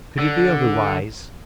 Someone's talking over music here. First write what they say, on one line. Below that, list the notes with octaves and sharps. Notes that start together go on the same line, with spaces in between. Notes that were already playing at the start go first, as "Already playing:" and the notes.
Could it be otherwise?
D3